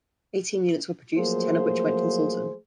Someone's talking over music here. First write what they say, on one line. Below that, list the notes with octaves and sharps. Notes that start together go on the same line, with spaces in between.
Eighteen units were produced, ten of which went to the Sultan.
F3 F#3 A3 A#3 G#4 C5